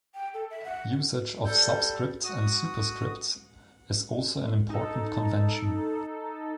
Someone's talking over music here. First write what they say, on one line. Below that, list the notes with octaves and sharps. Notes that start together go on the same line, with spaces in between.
Usage of subscripts and superscripts is also an important convention.
G5
A4
E5
F#5
G3 A4 G6
F#4 D#6
D#4 A4